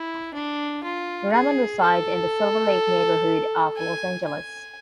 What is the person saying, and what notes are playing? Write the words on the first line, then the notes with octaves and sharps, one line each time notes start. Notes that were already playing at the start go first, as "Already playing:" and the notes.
Raman resides in the Silver Lake neighborhood of Los Angeles.
Already playing: E4
D4
F4
G#4
A4
G#5
G#5